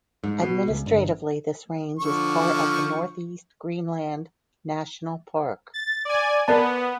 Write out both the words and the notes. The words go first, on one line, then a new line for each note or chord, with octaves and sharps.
Administratively this range is part of the Northeast Greenland National Park.
G#2
B2
C#2
G1
D3 F3 C#6
A6
D5 G#5
B3 A#4 D5 A5